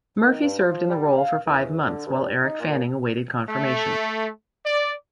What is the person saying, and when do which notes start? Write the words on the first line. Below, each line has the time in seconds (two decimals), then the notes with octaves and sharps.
Murphy served in the role for five months while Eric Fanning awaited confirmation.
0.24 D#3
0.42 G2
0.59 F3
0.90 G3
1.17 F5
1.45 E2
1.85 D3
2.07 G2
2.41 D#4
2.60 A#2
3.49 A3
4.66 D5